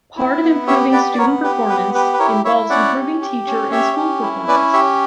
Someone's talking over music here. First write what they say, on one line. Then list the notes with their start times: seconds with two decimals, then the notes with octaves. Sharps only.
Part of improving student performance involves improving teacher and school performance.
0.16 E4
0.42 B3
0.67 G4 C#5 E5
0.92 B3 B4 D5
1.14 D5
1.18 B3 A#4 C#5
1.43 G4 B4
1.68 B3 B4
1.94 G4 B4
2.13 B4
2.19 E4 A#4 C#5
2.44 E4 C#5 E5
2.70 C#4 D5 F#5
2.96 G4
3.21 G4
3.47 C#4
3.72 G4 C#5 E5
3.97 C#4
4.22 E4
4.48 C#4 B4 D5
4.73 G4 C#5 E5